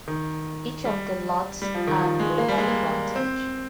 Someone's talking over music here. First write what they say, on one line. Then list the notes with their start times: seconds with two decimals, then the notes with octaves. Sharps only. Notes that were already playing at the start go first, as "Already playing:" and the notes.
Each of the lots have river frontage.
0.08 D#3
0.85 G3
1.62 G3
1.74 F3
1.87 D#3
2.00 F3
2.19 G#3
2.38 A#3
2.48 G3
2.58 G#3
2.68 A#3
3.16 C4